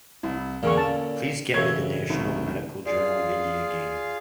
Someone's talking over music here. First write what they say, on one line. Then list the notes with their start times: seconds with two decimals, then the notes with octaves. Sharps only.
Please get me The National Medical Journal of India game.
0.23 C2 E4
0.63 E2 A#2 D3 A#3 G#4 F5 C#6
0.77 C#4 A5
1.54 A1 F#2 C#3 C#5 E5 G#6
2.10 C2 D#3 A3
2.86 F4 G#4 D5 F5